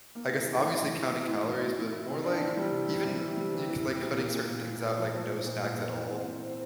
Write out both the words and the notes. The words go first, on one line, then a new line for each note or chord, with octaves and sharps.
I guess, obviously counting calories, but more, like, even, y like, cutting certain things out, like no snacks at all.
A#3
A2
E3
A2
A2
E3
E3
A2
A2
A2
A2
E4
C3
D4
E3
G3
C3
G3
C3
E3
G3
E3
E3
E3
A#2
A#3
A#2
A#3
A#2
A#2
F3
F3
A#2
A#2
A#2
A#3
E3
C4
C4
C4